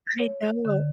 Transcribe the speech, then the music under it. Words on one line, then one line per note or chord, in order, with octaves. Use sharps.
I know.
C#5
D3